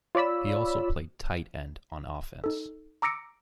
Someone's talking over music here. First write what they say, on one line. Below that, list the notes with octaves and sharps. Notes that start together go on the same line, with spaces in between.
He also played tight end on offense.
F4 C#5 D5 B5 E6
D#4 A4
A#5 D6 E6 A#6 C#7 D7